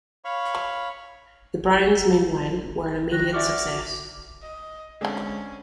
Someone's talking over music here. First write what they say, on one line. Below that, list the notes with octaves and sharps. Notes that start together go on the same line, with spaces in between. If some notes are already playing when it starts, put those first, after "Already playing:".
The Browns, meanwhile, were an immediate success.
C#5 F5 B5 C#6
D#3 F#6 A#6
F#4 D5 E5 D6 F6
D#5
D3 G#3 C4 C#4 G#4